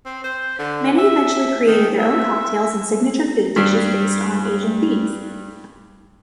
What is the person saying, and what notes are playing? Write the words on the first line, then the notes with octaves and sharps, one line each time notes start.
Many eventually created their own cocktails and signature food dishes based on Asian themes.
C4
C5
D3
E5
D#3
E5
G2 G3 D4